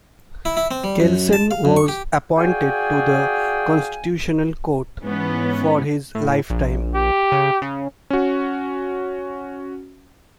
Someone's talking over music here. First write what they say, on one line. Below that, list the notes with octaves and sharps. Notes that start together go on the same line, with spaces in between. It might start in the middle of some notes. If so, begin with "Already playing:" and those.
Kelsen was appointed to the Constitutional Court, for his lifetime.
E4
E4
C4
G3
F#2
A5
F5
F#2
C#6
G4
F#4 G#4 D5 F5 G5 G#5
G#2 E3 B3 C#4
A2
A#1
G4
C#3
C#3
C#4 F#4